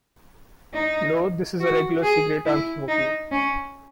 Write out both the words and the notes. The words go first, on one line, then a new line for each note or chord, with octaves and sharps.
"No, this is a regular cigarette I'm smoking".
D#4
F#4
G#4
E4
D#4
C#4